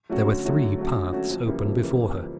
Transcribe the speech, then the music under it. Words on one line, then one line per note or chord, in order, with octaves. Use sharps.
There were three paths open before her.
F#3 A3 C#4 F#4
D3
F#3 A3 C#4 F#4
D3
F#3 A3 C#4 F#4
D3
F#3 A3 C#4 F#4
F2
C#3 E3 G3 A#3
F2
C#3 E3 G3 A#3